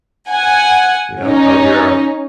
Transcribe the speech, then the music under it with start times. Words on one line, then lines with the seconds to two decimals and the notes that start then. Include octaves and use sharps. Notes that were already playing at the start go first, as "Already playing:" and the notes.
you know, of your, uh
0.30 F#5 G#5
1.24 C#4 D#4